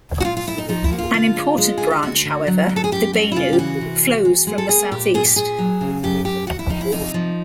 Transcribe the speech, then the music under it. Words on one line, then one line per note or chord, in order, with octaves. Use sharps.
An important branch, however - the Benue-flows from the southeast.
F#4
A#2 F4
F4
A#2 E4
D#4
F3 D#4
E4
A#3 F#4
F4
D3 F4
G#3
G#3
D3 G#4
G4
D2 F#4
D3
F#3
D2
A4
G#4
F#2 G4
G3 F#4
E4
C#3 F4
G4
E3 F#4
C3
E2
G#3
G#3
A4
A#3 G#4
A#2 G4
A#2 G#4
G4
A#2 G#4
F#3
C#3
F#2 G4
F#2 G4
E2 F#4
E4
F3 D#4
E4
C3 D#4
F3